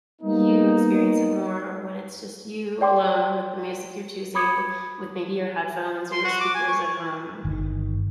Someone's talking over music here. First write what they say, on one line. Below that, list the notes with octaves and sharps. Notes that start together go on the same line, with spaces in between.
you experience it more when it's just you alone with the music you're choosing with maybe your headphones or your speakers at home?
G3 A#3 B3 D#4
D5 G5 C6 D6
B5 D6 D#6 G#6 C#7
C6
F#4
D6
G#5
C#6
G1 D#3